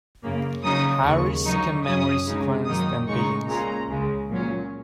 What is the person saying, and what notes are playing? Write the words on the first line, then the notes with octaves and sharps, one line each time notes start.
Harry's second memory sequence then begins.
F#2 C#3 A#3
C#3 F#3 D#4 D#6
D#2 C#3 G#3 C#6
C#3 F#3 D#4 C#6
F#2 F#3 C#4 D#6
C#3 G#3 D#4
F#2 D#3 F#3 A#3 D#4 D#6
C#3 G#3 D#4 C#6
A#2 G#3 C#4 A#5
C#2 C#3 G#3
A#2 F#3 C#4